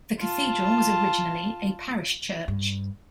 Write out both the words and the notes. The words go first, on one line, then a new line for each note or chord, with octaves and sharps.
The cathedral was originally a parish church.
F4 A5
G2